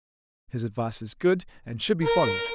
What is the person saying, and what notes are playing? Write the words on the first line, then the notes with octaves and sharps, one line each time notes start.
His advice is good, and should be followed.'
A#4